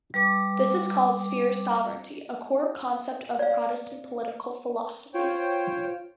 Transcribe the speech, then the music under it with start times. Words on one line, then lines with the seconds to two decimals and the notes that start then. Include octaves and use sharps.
This is called sphere sovereignty, a core concept of Protestant political philosophy.
0.14 G3 B4 D6
3.39 D5 F5
5.14 F4 C5 C#5 G5